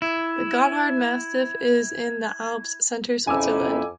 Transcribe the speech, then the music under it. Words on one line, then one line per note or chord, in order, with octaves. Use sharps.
The Gotthard massif is in the Alps, Center Switzerland.
E4 G#6
F2 C#3 C#4 D#4 E4 G#5 D6 E6